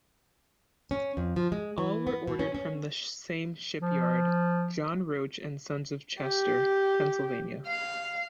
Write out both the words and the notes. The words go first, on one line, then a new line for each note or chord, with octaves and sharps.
All were ordered from the same shipyard, John Roach and Sons of Chester, Pennsylvania.
C#4
F2
F3
G#3
E3
B3
B2
C#4
C#4
F3
G4
F5